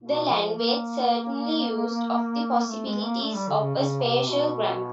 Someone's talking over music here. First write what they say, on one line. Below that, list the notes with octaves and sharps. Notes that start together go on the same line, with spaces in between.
The language certainly used of the possibilities of a spatial grammar.
B2
F3
A#3
A3
G#3
A#3
A3
G3
D3
C#3
C#3
C3
B2